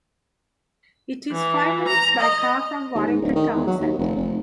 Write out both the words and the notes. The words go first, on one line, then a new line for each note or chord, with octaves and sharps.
It is five minutes by car from Warrington town centre.
E3
A#5
D#5
D#2
G#2
D1
D#3
E2
F#3
D#2
F1
F1